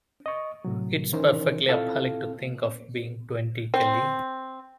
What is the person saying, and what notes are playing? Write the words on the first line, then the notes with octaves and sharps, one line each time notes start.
It’s perfectly appalling to think of being twenty, Kelly.
D#5 C#6
A2 C3 F#3
D#3 E3 C#4 D#4 A#4 C5
C4 E4 F4 A4 F5
C4